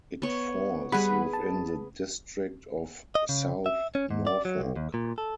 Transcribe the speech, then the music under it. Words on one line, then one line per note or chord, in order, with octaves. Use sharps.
It falls within the district of South Norfolk.
B3 C#5
G3 G#4 B4 F#5 B5
A5
D#5
C#3
E5
C#4
G#2
D5
F#3
C2
D#2
A#2
A4